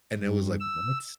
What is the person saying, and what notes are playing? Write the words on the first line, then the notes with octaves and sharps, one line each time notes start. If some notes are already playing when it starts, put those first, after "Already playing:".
And it was like, "What?"
G2
E6